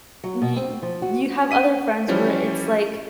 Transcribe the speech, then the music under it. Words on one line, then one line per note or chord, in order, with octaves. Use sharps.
y you have other friends where it's, like
F#3
B2
C4
F3
F#4
B6 D#7
E3 F3 G3 C#4